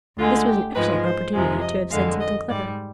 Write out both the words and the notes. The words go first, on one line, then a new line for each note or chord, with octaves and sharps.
This was an excellent opportunity to have said something clever.
D2 D3 G#3 F4
G4
G#2 F3 G#3 B4
C5
F2 C3 F3 G#3
D#5
F2 D3 G#3 F5
D#5
G#2 G3 D5